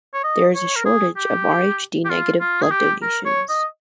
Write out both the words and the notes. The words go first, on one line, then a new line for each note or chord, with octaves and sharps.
There is a shortage of Rhd-negative blood donations.
C#5
D#5
C#5
A#4
G#4
G4
G4
F4
F4
G#4
G4
A#4
C#5
D#5